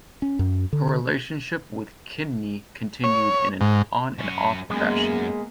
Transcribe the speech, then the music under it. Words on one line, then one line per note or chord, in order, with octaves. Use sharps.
Her relationship with Kidney continued in an on-and-off fashion.
C#4
F#2
D3
C#5
G#2
F#2 C#4
F#2 G#3 A#3 B3